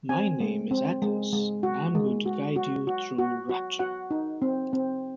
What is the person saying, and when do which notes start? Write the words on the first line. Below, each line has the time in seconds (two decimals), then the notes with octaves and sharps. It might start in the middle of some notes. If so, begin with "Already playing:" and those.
My name is Atlas and I'm going to guide you through Rapture.
0.09 C4 G#5
0.40 G#3
0.71 C4
1.02 G#3
1.33 G#3
1.63 F#4
1.95 G#3
2.26 F#4
2.56 F#4
2.87 F#4
3.18 F#4
3.49 F#4
3.79 F#4 F#5
4.11 D#4
4.42 C4
4.73 C4